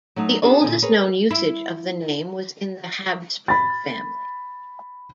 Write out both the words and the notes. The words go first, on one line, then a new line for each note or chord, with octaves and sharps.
The oldest known usage of the name was in the Habsburg family.
F#3 A3 D#4
B3 C#4 D4 F#4 G#4 D5
A#2 D3 D#4 G#5
G#4 A#4 B4 C#5
E4
B5 A6